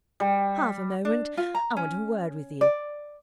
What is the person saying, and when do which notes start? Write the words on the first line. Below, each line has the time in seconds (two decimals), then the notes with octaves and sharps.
Half a moment: I want a word with you.
0.20 G3
1.05 D4
1.37 F4
1.55 A#5
1.77 C#4
2.61 D5